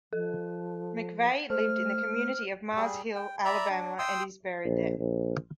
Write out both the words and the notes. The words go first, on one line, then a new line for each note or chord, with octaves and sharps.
McVay lived in the community of Mars Hill, Alabama and is buried there.
F3 A4
A3 C5 F6
G3 G#4
G5
D5 E5 A#5 B5
D4
G5 C6 D#6 E6
A#1
A#1